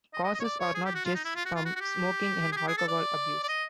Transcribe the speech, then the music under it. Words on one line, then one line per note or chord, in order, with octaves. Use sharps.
Causes are not just from smoking and alcohol abuse.
D#5
D#5
D#5
C#5
D5
C#5
G#4
G4
F#4
F4
D#4
E4
F4
F#4
F4
F#4
F#4
G4
G#4
G4
G#4
A4
D5
D5
D#5